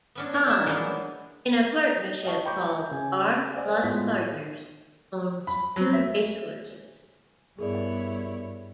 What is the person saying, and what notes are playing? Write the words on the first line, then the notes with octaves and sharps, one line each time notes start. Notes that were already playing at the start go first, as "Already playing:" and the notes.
Conn, in a partnership called R Plus Partners, owns two race horses.
B3 C#4 D4
F#4 A#4
D#4 E5
E3 F#3 G#3 A#3 B3 D4
D#5 F5 G5 A5 C#6
G5 A#5 B5 C#6 D6 G6
C#3 G#5
C5 D5 D#5 F#5 G#5
A2 G#3 B3 F4 B6
B5
F#3
E5
G2 B3 E4 G#4 A#4 C#5 D5